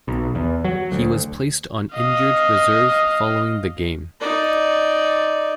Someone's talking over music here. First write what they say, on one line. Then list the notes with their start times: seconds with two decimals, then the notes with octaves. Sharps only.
He was placed on injured reserve following the game.
0.08 B1
0.35 E2
0.65 F#3
0.92 D2
1.95 D#5 F5
4.21 D#4 D5